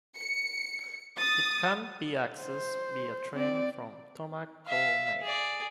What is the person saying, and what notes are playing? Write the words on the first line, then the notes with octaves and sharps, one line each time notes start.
It can be accessed via train from Tomakomai.
C#7
D#6 A6
C5
C4 D5
E5 F5
G#4 D5